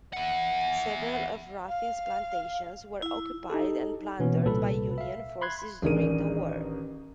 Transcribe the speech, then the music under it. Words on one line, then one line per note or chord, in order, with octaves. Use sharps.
Several of Ruffin's plantations were occupied and plundered by Union forces during the war.
E4 F#5
F5
E4
D#4 G4 A4
B2 E3 A#3 B3 C#4
C2 A#2 A4 B4 B5
E5 F5
B5 C6 F#6 G#6
A1 D#3 D4 G#4 A#4 D#7